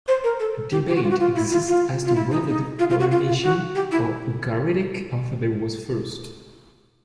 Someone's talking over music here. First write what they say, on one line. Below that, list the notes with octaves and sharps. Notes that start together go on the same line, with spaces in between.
A debate exists as to whether the Phoenician or Ugaritic "alphabet" was first.
C5
A#4
A4
G4
G4
F#4
F4
F#4
F4
E4
F4
F4
F4
E4
D#4
D#4
F4
F4
F#4
F4
F4
F#4
G4
E4